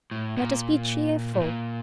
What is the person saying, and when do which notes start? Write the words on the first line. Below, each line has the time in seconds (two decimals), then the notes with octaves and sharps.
Let us be cheerful.
0.11 A2
0.37 A#2
1.34 A2
1.41 A#2